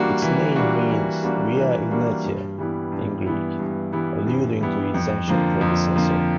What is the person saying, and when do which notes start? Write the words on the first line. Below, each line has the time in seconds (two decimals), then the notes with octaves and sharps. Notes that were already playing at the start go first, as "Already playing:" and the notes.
Its name means "Via Egnatia" in Greek, alluding to its ancient predecessor.
Already playing: E3 G3 A#3 D4 F#4
0.22 E3
0.56 G3 A#3 D4 F#4
0.90 E3
1.23 G3 A#3 D4 F#4
1.57 E3
1.91 G3 A#3 D4 F#4
2.24 G2
2.58 E3 G3 B3 E4
2.92 G2
3.26 E3 G3 B3 E4
3.59 G2
3.92 E3 G3 B3 E4
4.26 G2
4.61 E3 G3 B3 E4
4.94 F2
5.28 D3 F3 A#3
5.61 F2
5.95 D3 F3 A#3